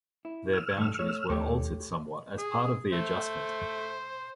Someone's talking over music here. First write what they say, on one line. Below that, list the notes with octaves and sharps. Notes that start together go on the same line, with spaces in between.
Their boundaries were altered somewhat as part of the adjustment.
E4
E6 F6
G2 D#3 A3
A3 C#5
D#2 A3 G4 C#5
G#4
A3 C5